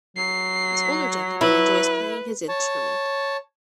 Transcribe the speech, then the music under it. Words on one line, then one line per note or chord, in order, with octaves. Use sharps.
This older gentleman enjoys playing his instrument.
F#3 C7
E4 B4
C#5 A5